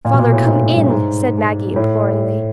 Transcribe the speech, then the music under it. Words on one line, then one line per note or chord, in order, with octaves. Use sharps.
"Father, come in!" said Maggie, imploringly.
A#2
B2
A#2
A2
G#2
G#2
G2
G#2
A2